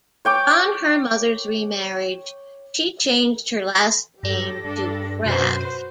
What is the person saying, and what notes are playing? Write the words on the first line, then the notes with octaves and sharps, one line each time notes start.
Upon her mother's remarriage, she changed her last name to "Kraft".
C#5 G5 D6
G2 G4 A4 A#6
G2 D4 A4
F#2 B2 F#4 B4 C5